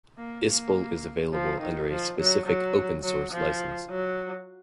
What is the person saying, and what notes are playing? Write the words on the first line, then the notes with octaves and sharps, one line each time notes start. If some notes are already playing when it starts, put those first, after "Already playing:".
Ispell is available under a specific open-source license.
A#3
A#3
F3
D#3
F3
F#3
F#3
F#3
F3
F#3